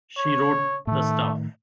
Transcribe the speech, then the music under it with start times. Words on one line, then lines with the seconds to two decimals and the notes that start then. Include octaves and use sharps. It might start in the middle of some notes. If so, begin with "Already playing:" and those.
She wrote the stuff.
0.17 C#5
0.87 A2 D#3 A3